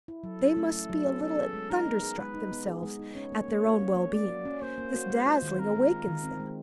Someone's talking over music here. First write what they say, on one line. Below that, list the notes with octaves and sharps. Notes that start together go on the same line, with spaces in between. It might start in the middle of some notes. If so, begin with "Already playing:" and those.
They must be a little thunderstruck themselves at their own well-being; this dazzling awakens them.
E4
F#3 A4
C#4
A3
E4
F#3
C#4
B3 A4
G#4
G#3
D#4 A#4
B3
G#4
G#3 B4
D#4
B3
G#4
G#3
D#4
C#4 C#5
A#3
A#3
F#4
C#4
A#3
A#3 D5
F#4
C#4
A#3 C5
A#3
F#4
G#3
F4
D#3
C4 A#4
G#3
F4
D#3
C4
G#3